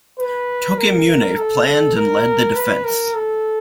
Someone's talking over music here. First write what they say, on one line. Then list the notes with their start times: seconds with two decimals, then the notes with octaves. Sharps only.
Tokimune planned and led the defence.
0.19 B4
0.78 A#4
1.37 A4
1.66 A4
1.96 A#4
2.56 B4
2.85 A#4
3.14 A4